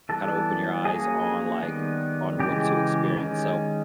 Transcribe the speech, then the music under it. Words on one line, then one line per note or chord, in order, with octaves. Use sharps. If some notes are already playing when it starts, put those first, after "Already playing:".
kinda open your eyes on, like on what to experience, so
E3 G3 B3 A4
F#3 A#3 C#4 G#4
D#3 G3 B3
C#3 E3 G#3 G4
D#3 G#3 C#4